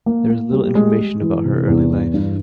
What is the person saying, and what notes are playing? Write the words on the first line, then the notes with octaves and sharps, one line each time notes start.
There is little information about her early life.
A#3
A#3
G3
G#3
G#3
E3
C3
E2
E3
G2